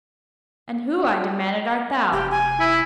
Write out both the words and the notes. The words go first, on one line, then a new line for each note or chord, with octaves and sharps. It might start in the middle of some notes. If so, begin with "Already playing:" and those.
"And who," I demanded, "art thou?"
F1 G4
G#5
E4